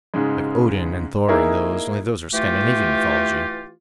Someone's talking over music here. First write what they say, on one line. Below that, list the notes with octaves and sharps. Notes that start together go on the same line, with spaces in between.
Like Odin and Thor and those, only those were Scandinavian Mythology.
G#2 C#3 G#3
A#3 D#4 E4 G#4 A#4
E3 A3 F4 G4